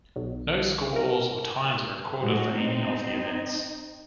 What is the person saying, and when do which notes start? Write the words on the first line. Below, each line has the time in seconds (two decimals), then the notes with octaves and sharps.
No scores or times are recorded for any of the events.
0.16 B1
0.96 A#4
2.21 A2 G#3 F#4
2.56 C4 D#4